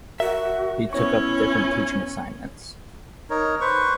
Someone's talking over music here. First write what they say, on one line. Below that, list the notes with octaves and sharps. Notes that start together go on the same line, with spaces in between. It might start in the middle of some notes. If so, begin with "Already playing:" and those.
He took up different teaching assignments.
F#4 A#4 E5
B3 C#4 E4 C#5 C#6
D#4 A#4 C#5
B4 C5 C#6